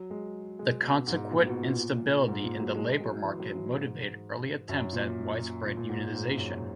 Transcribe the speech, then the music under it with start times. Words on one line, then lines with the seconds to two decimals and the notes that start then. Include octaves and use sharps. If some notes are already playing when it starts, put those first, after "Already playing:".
The consequent instability in the labor market motivated early attempts at widespread unionization.
Already playing: F#3
0.10 G#3
0.59 G#3
0.82 B2
1.07 G#2
1.31 A#2
1.48 B2
1.63 A#2
2.28 G#2
2.44 A#2
2.59 F#3
2.75 G#3
3.00 F#3
3.23 E3
3.40 F#3
3.56 E3
3.73 G#2
4.69 F#2
4.93 A#2
5.66 A#2
5.77 A#2
5.89 G#2
6.14 G#2
6.38 F#2